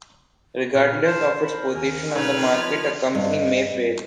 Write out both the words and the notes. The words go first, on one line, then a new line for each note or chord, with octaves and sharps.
Regardless of its position on the market, a company may fail.
A#2 B3 F6
C5 A5 C6
A#4 B5
D#2 G#5
B1 A3 D#4 B4 F6 G#6
F3
G2 D#5